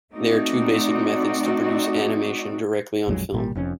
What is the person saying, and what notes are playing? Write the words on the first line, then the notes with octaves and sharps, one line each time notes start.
There are two basic methods to produce animation directly on film.
A3 C4 D#4 F#4 D5
A#1 F2 F#3 G#3
G#1 A#2 G3
F1 F2 C#4